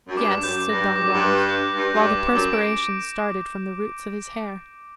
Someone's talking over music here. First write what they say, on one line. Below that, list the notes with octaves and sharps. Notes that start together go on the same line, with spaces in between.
"Yes," said Danglars, while the perspiration started from the roots of his hair.
F#2
G2 D6
F#2 G6
G2 A#6
G2 D6
F#2
G2
D6
G6
G2 A#6
G2
D6
G2
D6
F#2
D7